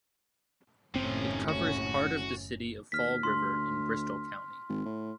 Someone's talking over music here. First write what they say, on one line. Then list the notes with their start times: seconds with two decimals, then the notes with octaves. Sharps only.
It covers part of the city of Fall River in Bristol County.
0.94 F#1 D#2 A2 C3 F3 C4 C#4
1.49 F#4
2.92 D#2 F6 B6
3.23 D2 C6
4.69 G#1
4.85 A2